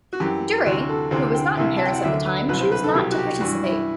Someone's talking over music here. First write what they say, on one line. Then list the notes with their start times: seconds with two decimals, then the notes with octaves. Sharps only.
Durey, who was not in Paris at the time, chose not to participate.
0.13 F#4
0.20 F#2 E3 G4
0.65 D2 C3 E3 F#4
0.89 A4
1.11 D2 C3 E3 C5
1.34 G5
1.57 C2 C3 E3 E5
1.77 A5
1.85 G5
1.94 F#5
2.03 D2 D3 F#3 E5
2.25 B4
2.48 C2 B2 F#3 B4
2.60 C5
2.72 B4
2.84 A4
2.94 C2 B2 F#3 G4
3.12 F#4
3.18 G4
3.40 G2 E3 F#4
3.64 E4